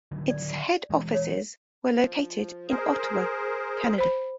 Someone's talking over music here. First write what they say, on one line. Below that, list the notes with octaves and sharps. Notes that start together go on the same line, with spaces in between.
Its head offices were located in Ottawa, Canada.
D3 D#3 F#3
D5
E3 G#3
C#5
F3
G#4 A#4 C5
C5 B5